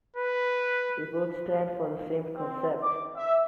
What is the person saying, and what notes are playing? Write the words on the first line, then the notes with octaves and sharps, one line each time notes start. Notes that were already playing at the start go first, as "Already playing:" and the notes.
They both stand for the same concept.
B4
C4
D6
E5